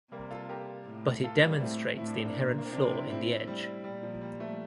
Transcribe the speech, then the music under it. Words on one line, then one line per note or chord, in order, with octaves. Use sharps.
But it demonstrates the inherent flaw in the Edge.
C3 G3 A#3
F4 A4
G4 A#4
A2
F4 A4
G3 A#3
A2 A3 C4
A2 E4
D4
C4
A#3 D4
A#2
A#3
C4
C3 A#3 D4
C4 E4
A2 C4 E4
G3
A#2 G3
F3
G3
F3 A3